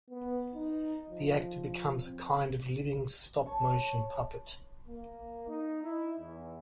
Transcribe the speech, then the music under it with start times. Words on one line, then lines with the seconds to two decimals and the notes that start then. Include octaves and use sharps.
The actor becomes a kind of living stop motion puppet.
0.10 B3
0.55 D#4
1.10 F3
2.03 C4
3.46 C#5 A5 C#6
4.86 A#3
5.47 D#4
5.83 E4
6.18 E2